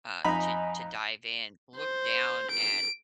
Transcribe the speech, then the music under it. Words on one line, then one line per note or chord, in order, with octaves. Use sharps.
uh, to to dive in, look down at
F2 D#4 D#5 G#5 A#5 B5
C5
D7